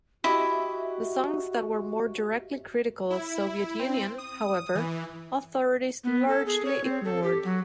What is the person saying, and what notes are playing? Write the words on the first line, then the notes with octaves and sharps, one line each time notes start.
The songs that were more directly critical of Soviet Union, however, authorities largely ignored.
E4 F#4 G4 D#5 E5
E4
C4
D#6
E3
B3
A4
G#4
C#5
C4
A4
G4
F#3